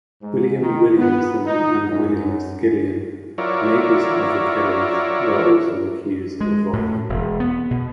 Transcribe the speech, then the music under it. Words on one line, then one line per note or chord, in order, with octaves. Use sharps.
William Williamson and William Skillion, neighbours of the Kellys, were also accused of violence.
G#2
D#3
B3
D#4
F#2
F#3 E4 F4 A#4 C#5 D5
G#3
A2
E1
B3
B2